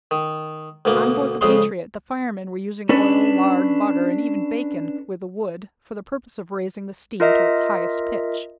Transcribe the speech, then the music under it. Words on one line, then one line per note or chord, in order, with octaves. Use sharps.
On board the Patriot, the firemen were using oil, lard, butter, and even bacon, with the wood, for the purpose of raising the steam to its highest pitch.
D#3
D2 B2 A#3
F2 C#3 G#3 C6
C#4 D4 A4 B4
F4 A#4 D#5 E5